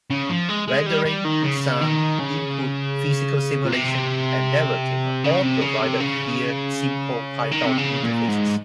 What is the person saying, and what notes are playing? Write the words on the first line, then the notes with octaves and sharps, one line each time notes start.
Rendering, sound, input, physical simulation, and networking are all provided via simple Python interfaces.
C#3
F3
G#3
G#3
G3
G3
D#3
C#3
D#3
C#3
A#2
C3
C#3
C3
C#3
C3
C#3
D#3
C3
C#3
A#2
G#2